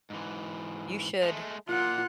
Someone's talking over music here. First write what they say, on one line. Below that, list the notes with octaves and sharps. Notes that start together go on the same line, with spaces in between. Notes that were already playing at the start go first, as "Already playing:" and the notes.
You should
G#2 E3
G#3 A3
A#2 F4 F#5